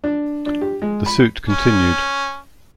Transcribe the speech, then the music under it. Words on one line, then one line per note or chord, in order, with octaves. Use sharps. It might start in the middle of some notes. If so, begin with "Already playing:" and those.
The suit continued.
D4
D4
G4
G#3
B5
C#4